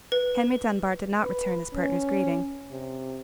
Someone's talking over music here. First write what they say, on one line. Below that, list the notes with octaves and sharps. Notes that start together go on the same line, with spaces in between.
Henry Dunbar did not return his partner's greeting.
B4
B4
C#4
C3